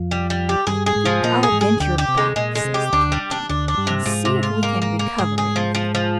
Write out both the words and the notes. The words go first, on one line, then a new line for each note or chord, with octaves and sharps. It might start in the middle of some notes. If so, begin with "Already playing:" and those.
"I think I'll venture back," says the captain, "and see if we can recover anything."
Already playing: F2 F3
G3
G3
G4
G2 G3 G#4
G#4
G#2 G#3
F3
A#2 A#3 D#4
G#4
G#2 G#3
G#4
D2 D3 G4
G4
C3
G#3
A#2 G#3
G#3
C3
G4
D2 D3 D4
G3
D4
D2 D3 D4
D4
G2 G3
C3
G#2 F3 G#3
C3
F4
A#3
A#3
A#3
G#2 G#3 G#4
G#4
F3
F3
F3